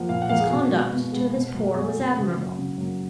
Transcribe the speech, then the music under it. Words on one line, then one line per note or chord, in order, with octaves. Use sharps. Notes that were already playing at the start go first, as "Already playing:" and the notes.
His conduct to his poor was admirable.
Already playing: F3 A#3 F#5
A#2 F5
F#5
F3 A#3 F5
G#4
B2 F#4
G#3 B3 F#4
B2
G#3 B3
B2
F#3 A#3
B2 G#4
F#3 A#3
C#3
F#3 A#3
C#3
F#3 A#3